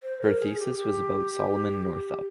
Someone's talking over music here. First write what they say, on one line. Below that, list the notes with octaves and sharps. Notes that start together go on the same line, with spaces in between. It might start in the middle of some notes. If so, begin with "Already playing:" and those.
Her thesis was about Solomon Northup.
C5
A#4
G#4
G4
G4